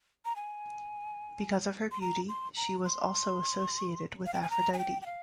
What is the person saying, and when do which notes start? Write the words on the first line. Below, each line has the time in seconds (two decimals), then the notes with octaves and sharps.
Because of her beauty she was also associated with Aphrodite.
0.25 A#5
0.36 G#5
1.91 C6
2.01 A#5
2.29 C6
2.57 A#5
2.85 C6
4.26 F5
4.34 G5
4.42 G#5
4.50 A#5
4.73 G#5
4.78 G5
5.02 G5
5.06 F5